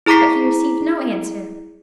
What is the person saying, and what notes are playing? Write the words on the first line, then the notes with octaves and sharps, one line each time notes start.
But he received no answer.
E4 G#4 A#5 D6 B6 C7